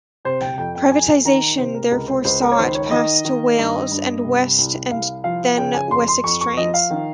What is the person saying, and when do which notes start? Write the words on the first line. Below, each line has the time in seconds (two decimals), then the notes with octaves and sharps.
Privatisation therefore saw it pass to Wales and West and then Wessex Trains.
0.25 C3 C5
0.41 G5
0.58 F2 G5
0.75 G5
0.91 F2 G#5
1.25 D#3 A#5
1.58 C3 C5
1.75 A#4
1.92 C#2 A#4
2.08 C5
2.24 C#2 C5
2.42 A#4
2.52 C#5
2.58 D#3 C5
2.75 C#5
2.91 D#3 D#5
3.25 D#3
3.58 G2
3.92 G2
4.24 C3
4.58 C2
4.91 C2 F5
5.24 F3 F5
5.57 C#3 G5
5.74 G#5
5.91 F2 C6
6.08 C6
6.24 F2 C#6
6.41 C#6
6.57 F3 D#5
6.74 F5
6.90 D#3